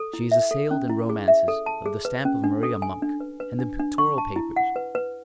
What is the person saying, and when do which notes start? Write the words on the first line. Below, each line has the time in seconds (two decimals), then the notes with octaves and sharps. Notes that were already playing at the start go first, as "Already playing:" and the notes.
She is assailed in romances of the stamp of Maria Monk, and in pictorial papers.
Already playing: A4
0.13 E4
0.32 E5
0.51 A4
0.71 C#4
0.90 E4
1.10 G#4
1.28 E5
1.48 A4
1.66 A5
1.86 G#4
2.05 B4
2.25 C#4
2.44 D4
2.63 A4
2.82 G#5
3.02 D4
3.20 B4
3.40 B4
3.59 D4
3.79 D4
3.98 C#6
4.18 A5
4.36 E4
4.56 F#5
4.76 B4
4.95 B4